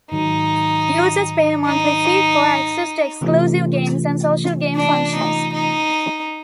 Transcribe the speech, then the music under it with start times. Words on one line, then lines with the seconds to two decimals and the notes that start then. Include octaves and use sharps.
Users pay a monthly fee for access to exclusive games and social game functions.
0.11 G#2 D#3 F#3 D#4
1.66 D#4
3.21 C3 E3 A3 C#4 F4
4.76 D4
5.15 D#4
5.54 D#4